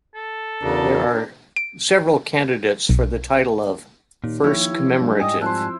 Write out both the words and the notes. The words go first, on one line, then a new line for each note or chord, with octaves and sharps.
There are several candidates for the title of first commemorative.
A4
E2 C#3 D4 F#4 A#4
D7
B1
D#2 A#2
F3 E4 G4 C#5
E3
G2
G#2 G3 D#5 G5 G#5 D#6
F2 E4 C5 A5 F#6